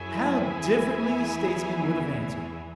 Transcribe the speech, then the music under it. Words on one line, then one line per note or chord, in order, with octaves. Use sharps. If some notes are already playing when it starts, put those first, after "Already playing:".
How differently a statesman would have answered!
Already playing: F#2 F#3 E4 G#4 E5 G#5
E2 E3